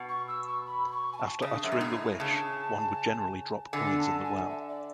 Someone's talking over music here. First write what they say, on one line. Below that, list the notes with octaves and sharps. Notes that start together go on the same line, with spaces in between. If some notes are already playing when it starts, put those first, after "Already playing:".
After uttering the wish, one would generally drop coins in the well.
Already playing: B2
C#6
E6
C#6
B5
B5
C#6
G#5
A5
C#3
F#2
G#2
A2
C#3 A5
D3 G#5
A5
G#5
E5
D5